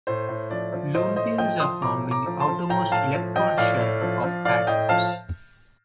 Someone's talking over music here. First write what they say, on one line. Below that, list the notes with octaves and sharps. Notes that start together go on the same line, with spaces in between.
Lone pairs are found in the outermost electron shell of atoms.
A2 C5
A2
F3 D5
F3
A2 C5 D#5
A2 C5 D#5
F3 D#5 G5
F3 C6 D#6
A2 A#5 D6
A2
A#5 D6
F3
A5 C6
F3
A2 G5 A#5
A2 F5 A5
F3
F3 D#5 G5
A2 D5 F5
A2
F3
F3
A2 D5 F5
A2 D#5 G5
F3 F5 A5